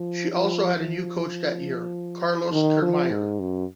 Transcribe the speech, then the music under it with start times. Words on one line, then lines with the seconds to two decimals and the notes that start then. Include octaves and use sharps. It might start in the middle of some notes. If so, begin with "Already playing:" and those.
She also had a new coach that year, Carlos Kirmayr.
Already playing: F3
0.33 F3
0.76 F3
2.52 D#3
2.82 F3
3.11 G#2
3.40 F#2